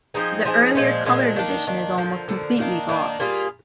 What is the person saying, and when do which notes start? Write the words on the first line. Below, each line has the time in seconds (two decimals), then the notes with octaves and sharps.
The earlier colored edition is almost completely lost.
0.14 F3 C4 D#4 G#4
0.45 F3 C4 D#4 G#4
0.75 A#2 F3 G#3 D4
1.05 A#2 F3 G#3 D4
1.36 D#3 A#3 D4
1.67 D#3 A#3 D4
1.97 D3 F3 A#3
2.28 D3 F3 A#3
2.58 D#3 A#3 D4
2.89 D#3 A#3 D4
3.20 G3 A#3 F4 G#4